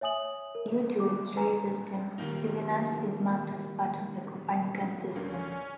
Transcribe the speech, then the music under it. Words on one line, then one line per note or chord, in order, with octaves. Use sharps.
Due to its ray system, Stevinus is mapped as part of the Copernican System.
C#5 E5 G#5 D#6 F#7
A#4
D6
B4 G#5 A#5
D#3 F#3 G3 A#3 D#4
D2 D3 A#3 C#4